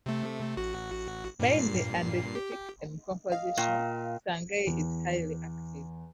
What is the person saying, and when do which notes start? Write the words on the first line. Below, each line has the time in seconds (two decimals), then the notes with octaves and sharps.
Mainly andesitic in composition, Sangay is highly active.
0.06 C3 A3
0.57 A1 F#4
1.40 G2 A#2 C7
2.35 G4
3.32 D#5 F5
3.58 A#2 G5
4.67 E2